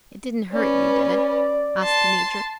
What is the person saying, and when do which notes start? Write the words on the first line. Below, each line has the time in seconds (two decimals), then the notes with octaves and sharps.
"It didn't hurt you, did it?" asked the Major.
0.52 C#4 B4 D5
1.83 A5 C6